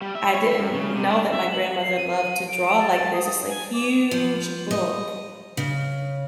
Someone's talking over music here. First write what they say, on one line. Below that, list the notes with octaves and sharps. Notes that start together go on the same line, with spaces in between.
I didn't know that my grandmother loved to draw like this. It's a huge book
G3
E5
C#5
E5
F#2
C#3
C3
D4
E5
F#7
C7
D#7
D#7
D7
A5
A6
D#6
D#6
G#5
D6
F3
D#5
C#3